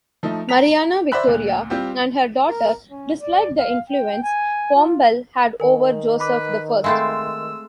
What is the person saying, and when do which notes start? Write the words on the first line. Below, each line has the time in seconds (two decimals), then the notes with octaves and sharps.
Mariana Victoria and her daughter disliked the influence Pombal had over Joseph the First.
0.23 F3 A3 D#4
0.49 A#5 B6 F7
1.12 C5 D5 E5 B5 F#6
1.27 D2 A#2
1.70 G3 C4 F4 G4
2.49 A#4
2.91 C#4
3.21 D5
3.58 F5
3.90 G5
4.23 G#5
4.75 F4
5.60 D#3 A#4 G#5
6.20 B4 B5 D6
6.84 G#3 A3 C4 E5 F5 B5 E6